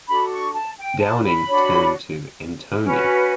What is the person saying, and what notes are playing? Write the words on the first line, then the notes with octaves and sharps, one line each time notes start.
Downing turned to Antoni.
D4 F#4 A4 B5
C#6
A5
G5
A5
B5
D4 F#4 C#5
C#4 F#4 B4